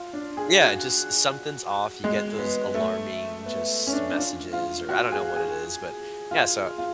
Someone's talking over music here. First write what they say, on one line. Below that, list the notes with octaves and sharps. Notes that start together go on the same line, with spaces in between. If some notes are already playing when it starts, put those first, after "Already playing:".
Yeah, just something's off. You get those alarming, just messages, or I don't know what it is. But, yeah, so
Already playing: F4
D4
G#4
F#4
G#3
B3
A3
B3
C#4
D4
D4
F4
F4
F#4
G#4
G#4
F4
F4